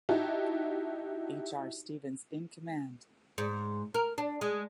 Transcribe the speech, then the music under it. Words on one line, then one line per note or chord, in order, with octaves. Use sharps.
H. R. Stevens in command.
D#4 E4 F#4 G4 A5
G#2
A#4
D4
G#3